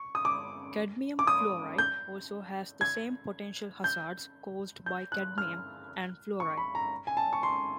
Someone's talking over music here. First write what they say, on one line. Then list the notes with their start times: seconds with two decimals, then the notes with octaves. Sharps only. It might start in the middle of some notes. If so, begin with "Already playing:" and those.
Cadmium fluoride also has the same potential hazards caused by cadmium and fluoride.
Already playing: C#6
0.15 D#6
0.25 D6
1.19 D6
1.27 D#6
1.78 G6
2.81 G#6
3.84 G6
4.86 G6
5.12 F#6
5.38 F6
6.40 C#6
6.57 B5
6.75 A#5
7.07 G#5
7.17 A5
7.33 C#6
7.43 C6